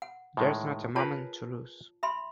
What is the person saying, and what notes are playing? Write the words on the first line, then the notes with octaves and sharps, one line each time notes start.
There's not a moment to lose.
F#5
A2 D#3 G#3
F4 G#4 A#4 B4 C#5 A5
E5 B5 C6